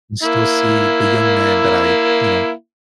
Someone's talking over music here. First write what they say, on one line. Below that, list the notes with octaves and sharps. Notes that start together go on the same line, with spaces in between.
and still see the young man that I, you know,
A#3 E4